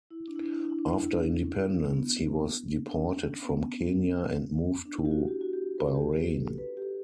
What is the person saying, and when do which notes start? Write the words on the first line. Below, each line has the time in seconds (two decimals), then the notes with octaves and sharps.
After independence, he was deported from Kenya and moved to Bahrain.
0.11 E4
0.28 D4
0.36 E4
0.44 D4
0.53 E4
0.62 D4
0.70 E4
0.79 D4
0.87 E4
0.95 D4
1.05 E4
1.13 D4
1.44 C#4
1.93 B3
2.87 D4
2.95 C#4
3.10 C#4
3.27 C#4
3.45 B3
3.61 C#4
4.85 D4
4.94 E4
5.05 G4
5.11 F#4
5.28 G4
5.41 F#4
5.53 G4
5.78 B4
5.87 A4
5.95 G4
6.13 G4
6.20 A4
6.45 A4
6.58 B4
6.77 G4
6.82 A4